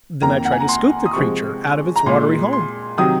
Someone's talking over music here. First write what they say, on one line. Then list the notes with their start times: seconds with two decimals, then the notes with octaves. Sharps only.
Then I tried to scoop the creature out of its watery home.
0.22 F2 D#3 A#3 A#5
0.45 F#5
0.52 G#5
0.60 A#5
0.69 C6
1.06 D#6
1.13 C3 F3 G#3 C#6
1.96 A#5
2.06 A#2 G#3 C6
2.53 C6
2.98 C3 D#3 F#3 D#6